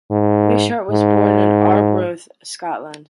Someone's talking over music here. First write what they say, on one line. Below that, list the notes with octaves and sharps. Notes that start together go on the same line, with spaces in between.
Wishart was born in Arbroath, Scotland.
G#2
G#2